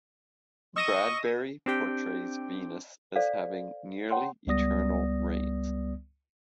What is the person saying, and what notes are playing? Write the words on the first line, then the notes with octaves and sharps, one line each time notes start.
Bradbury portrays Venus as having nearly eternal rains.
D#5 C#6 E6 A#6 D#7
C4 D4 G4 G5
A4 C5 D5 F5
C#5 F#5 G5 A#5 C6
C#2 G3 B3 D5 D#6 A#6